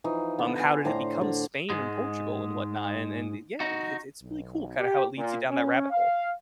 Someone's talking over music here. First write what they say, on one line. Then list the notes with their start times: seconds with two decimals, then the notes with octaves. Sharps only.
Um, how did it become Spain, and Portugal, and whatnot? And and yeah, it it's it's really cool kinda how it leads you down that rabbit hole.
0.04 E3 F3 D#4
0.39 D3 B3
0.60 G#5 C6
0.85 A2 D4 C5 A#5
1.21 D3
1.70 G#2 G#3
3.60 D#4 F#4
4.23 B1
4.78 G4
5.17 A#2
5.50 C#4
5.91 F5